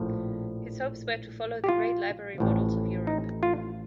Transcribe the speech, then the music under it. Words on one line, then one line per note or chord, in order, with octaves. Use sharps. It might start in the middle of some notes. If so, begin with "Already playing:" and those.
His hopes were to follow the great library models of Europe.
Already playing: A#1 A2 F3
G4
F4
A1 A2 F3
D#4
F4